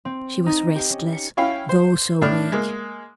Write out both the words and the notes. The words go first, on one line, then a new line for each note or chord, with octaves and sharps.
She was restless, though so weak.
C4
D#4
G4
C#4
C#7
C#4 E4 F5 G5
C5
A2 D4 F6
G#3 A#3